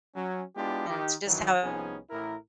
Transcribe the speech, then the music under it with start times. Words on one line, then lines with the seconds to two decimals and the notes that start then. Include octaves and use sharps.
it's just how
0.15 F#3 C#4
0.56 G#3 B3 D4 E4 F4 G4
0.88 D#3 G4
1.25 F2 D#3 E3 F#3
1.63 C2 F3 B3 C#4 D#4 G#4
2.10 A1 E4 A#4